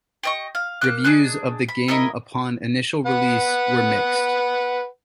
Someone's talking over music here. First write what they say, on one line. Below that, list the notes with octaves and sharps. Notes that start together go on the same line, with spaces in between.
Reviews of the game upon initial release were mixed.
G4 D#5 C#6
F5
A#3 F6 F#6
D4 D#4 G#4 F#6
B5
E4 A#4 D#5 B5
B4 F#5